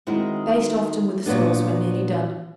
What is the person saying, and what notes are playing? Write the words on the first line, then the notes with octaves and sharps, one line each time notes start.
Baste often with the sauce when nearly done.
D#3 G#3 C4 E4 F#4
A#2 F#3 B3 D4